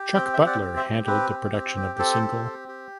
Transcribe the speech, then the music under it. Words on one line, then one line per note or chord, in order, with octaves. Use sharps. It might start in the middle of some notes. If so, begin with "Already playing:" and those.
Chuck Butler handled the production of the single.
Already playing: G4
C4 G5
E5 G5
G4
D5 F#5
C4
C5 E5
G4
C4 B4
G4
C4
G4
C4 A4 C5
G4
C4
G4